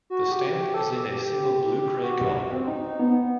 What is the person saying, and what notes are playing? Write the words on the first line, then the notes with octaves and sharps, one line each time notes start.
The stamp is in a single blue-gray color.
F#4
G4
G4
A4
G4
G4
F#4
F#4
C4
D#4
B3